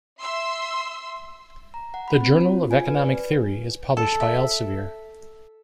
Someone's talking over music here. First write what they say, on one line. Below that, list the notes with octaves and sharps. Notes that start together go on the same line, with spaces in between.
The "Journal of Economic Theory" is published by Elsevier.
E5 C6 E6
A#5
F#5
B5
C4
F4
G#5
B4
D5
B4
A4
E5